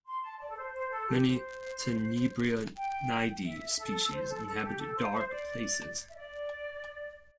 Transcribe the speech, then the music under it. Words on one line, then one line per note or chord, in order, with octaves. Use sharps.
Many Tenebrionidae species inhabit dark places.
C6
A5
D5
A4
C5
C5
A4
G4
C5
G5
E5
A4
C5
A4
A4
G4
A4
C5
C5
D5
E5
D5